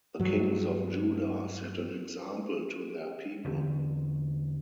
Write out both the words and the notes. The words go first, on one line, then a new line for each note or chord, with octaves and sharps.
The kings of Judah set an example to their people.
G2 F#3
E2 D3 C4 C#4